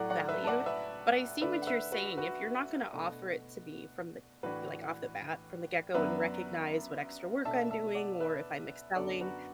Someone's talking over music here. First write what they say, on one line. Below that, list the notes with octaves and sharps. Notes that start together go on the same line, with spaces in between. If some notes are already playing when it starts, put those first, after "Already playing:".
valued, but I see what you're saying, if you're not gonna offer it to me from the y like, off the bat, from the get go and recognize what extra work I'm doing, or if I'm excelling;
Already playing: A2 F#3 A3 D5 F#5
D5 F#5
B4 E5
A5
D5 F#5
B4 E5
D3 A3 D4 B4 E5
F#5
B4 E5
F#4 B4
F#4 B4
B2 A3 D4
A2 E3 D4 F#4 B4
F#2 F#3 B3 D4 B4 E5
B2 A3 D4 E5 A5
E5 A5
D5 F#5
B4 E5
F#2 D3 B3 A4 D5
F#4 B4